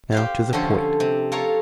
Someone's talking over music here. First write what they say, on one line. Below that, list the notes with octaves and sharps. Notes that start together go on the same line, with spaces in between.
Now, to the point.
G4 C5 F5
D3 F3 C#4 A4 C5
C3
F4 A4 A#4 C#5 A#5